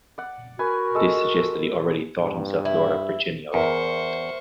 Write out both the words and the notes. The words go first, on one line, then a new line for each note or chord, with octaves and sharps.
This suggests that he already thought himself lord of Brycheiniog.
D5 F#5
F#4 A#4 B4 G#5
G#3 A4 E6
G2
E4
E2 A#4 C5 E5 C#6